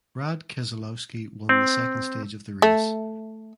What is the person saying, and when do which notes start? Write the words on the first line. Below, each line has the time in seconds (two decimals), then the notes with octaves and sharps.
Brad Keselowski won the second stage of the race.
1.49 C4
2.62 A3